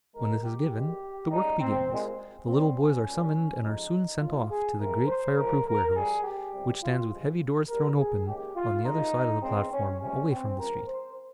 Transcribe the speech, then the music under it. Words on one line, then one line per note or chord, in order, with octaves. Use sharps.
When this is given, the work begins; the little boys are summoned, and are soon sent off to the great fire-proof warehouse, which stands with heavy doors thrown open, on the other side of the platform, away from the street.
D#2 D#3 G#3 A#4
G4
G#1 G2 D#3 G#3 G4
C#2 C#3 G3 D#4
C4
C2 A#2 G#3
G2 G3 C4
C#4
C2 A#2 G3
F2 C3 F3 G#3 D#4
C#2 C#3 F3 G#3 F4
G#4
F2 C3 F3 G#3 A#4
C5
F2 C#3 F3 G#3 A#4
A#4
F2 C3 G3 G#4
G4
C#2 C3 G3
F4
G2 F3 G#3
A#1 G#2 G3 A#4
G#4
D#2 C#3 G#3 G4
F4
C2 A#2 G#3 D#4
C#2 C#3 G#3 C4
C#4
C#2 C3 G3 C#4
C4
C#2 C3 F3 A#4
C5